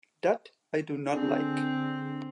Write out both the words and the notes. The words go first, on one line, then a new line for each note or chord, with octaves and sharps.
That I do not like.
D3 C4 D4 G#4